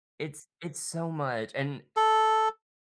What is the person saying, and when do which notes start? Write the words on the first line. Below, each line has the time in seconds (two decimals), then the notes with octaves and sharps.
It's it's so much, and,
1.97 A4